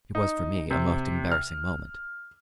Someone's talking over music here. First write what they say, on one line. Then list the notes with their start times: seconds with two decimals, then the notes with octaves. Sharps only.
It was for me a most embarrassing moment.
0.15 D#4
0.71 C3
1.32 F6